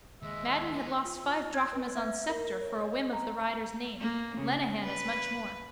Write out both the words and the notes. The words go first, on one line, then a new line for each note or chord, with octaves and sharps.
Madden had lost five drachmas on Sceptre for a whim of the rider's name: Lenehan as much more.
D#2 G#3 E5
B3
F4
G#6
B4
E5
A#4
C#5
D#5
A#5
A#3
C#3
B4